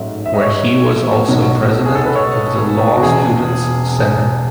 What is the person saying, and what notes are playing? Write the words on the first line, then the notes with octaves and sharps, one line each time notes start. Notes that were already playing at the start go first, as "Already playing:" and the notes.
Where he was also president of the Law Students Center.
Already playing: A1 G#2 F#3 A3 E5
E5
D#5
C#5
B1 B2 F#3
G#4
A4
B4
C#5
F#4
E1 E2 C#3 G#4